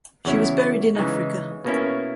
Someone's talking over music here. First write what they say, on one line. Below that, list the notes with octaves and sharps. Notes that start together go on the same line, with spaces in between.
She was buried in Africa.
E2 C#3 F#3 C#4 E4
C#3 E3 G#3 D#4
B2 A#3 C#4 E4